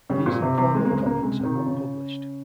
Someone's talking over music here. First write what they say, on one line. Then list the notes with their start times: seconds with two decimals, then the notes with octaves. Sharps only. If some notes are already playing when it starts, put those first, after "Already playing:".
These informal comments are not published.
0.10 C#3 G3
0.26 A#2 C4
0.41 C3 C4
0.58 C3 G3
0.74 G#3 C4
0.85 A#3
0.91 C#2 G#3
1.06 C#3 A#3
1.22 C3 G#3
1.40 C3 D#3
1.55 F4
1.66 C#3